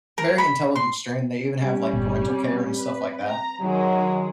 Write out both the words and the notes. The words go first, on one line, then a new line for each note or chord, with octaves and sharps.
very intelligent strain, they even have, like, parental care and stuff like that.
A#4
B5
C6
G3 C#4
G1 A#2 B3
C4
B4
A#5
D#3 F#3 G#3